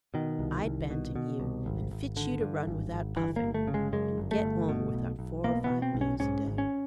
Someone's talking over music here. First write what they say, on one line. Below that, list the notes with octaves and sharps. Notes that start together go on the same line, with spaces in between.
I'd Banting you, and fit you to run without puffing, and get on without four or five meals a day.
B2 D#3
C2
C2
B2
B2
C2
G#1
G#1
D3
G2
G#1
G#1
G1 E3
A#3
G1
A3
C#3
G#3
F#2 G#3
G1
A3
G1
B2
B1
B1
B2 A#3
B3
B2
C4
B1
C#4
G#2 C#4
G#1
C#4